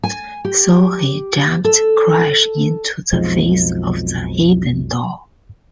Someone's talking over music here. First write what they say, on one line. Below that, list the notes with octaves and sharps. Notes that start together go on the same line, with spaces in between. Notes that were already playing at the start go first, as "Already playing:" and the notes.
So he jumped crash into the face of the hidden doll.
G#5
G4
A4
B1 F2 F3 G#3